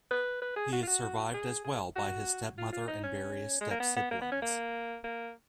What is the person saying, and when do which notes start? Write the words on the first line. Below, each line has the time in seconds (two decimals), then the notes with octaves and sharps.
He is survived as well by his stepmother and various stepsiblings.
0.11 B4
0.42 B4
0.56 G#4
0.72 F#4
0.83 F4
0.87 F#4
1.34 G#4
1.64 G#4
1.96 F#4
2.58 F4
2.72 F4
2.88 D#4
3.03 C#4
3.61 G#3
3.71 A#3
3.80 B3
3.96 B3
4.11 A#3
4.21 B3
4.32 C#4
4.42 A#3
5.04 A#3